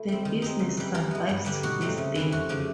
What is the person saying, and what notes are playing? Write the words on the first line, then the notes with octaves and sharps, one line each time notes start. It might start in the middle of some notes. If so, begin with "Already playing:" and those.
The business survives to this day.
Already playing: A3 E4
G3 C4
D#3
G#3 C4 D#4
C#3
E3 G3
E3 A#4
G#3 B3
G2
D3 G3 A#3 D4
B2 F#4
F#3 A3 C4 D#4
C#3
E3 G3 C4
F2 F#4
C#3 F3 A3 D4